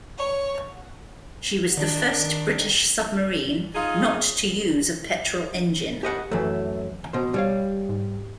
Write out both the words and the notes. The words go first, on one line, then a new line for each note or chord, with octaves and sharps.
She was the first British submarine not to use a petrol engine.
C#5
D#3 D4
D#4 F4 G#4
G4 D#5 F#5
F#2 E3 F#3 A3
B2 C5
B2 G3 C#5 F5
G#2